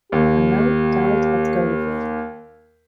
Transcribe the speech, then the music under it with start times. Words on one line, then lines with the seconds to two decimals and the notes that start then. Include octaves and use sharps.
Arnault died at Goderville.
0.12 D#2 G4